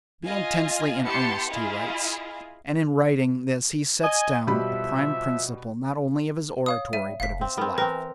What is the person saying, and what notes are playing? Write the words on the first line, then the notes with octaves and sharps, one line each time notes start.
"Be intensely in earnest," he writes; and in writing this he sets down a prime principle not only of his oratory, but of his life.
F4 D#5 F5 G#5
B3 E4 G4 A5 C6 C#7
E4 F4 G#4 D#5 F5
D#5 G#5
B2 F3 G3 E5 B5
C#5 F5 D#6
G3 E5 D#7
F1 F5 B6
C4
B3 C4 A#4
E3 C4 A#4 B4